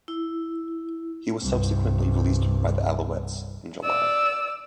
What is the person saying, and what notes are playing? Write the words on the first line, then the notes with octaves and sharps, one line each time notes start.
He was subsequently released by the Alouettes in July.
E4
C2 G2
D5 E6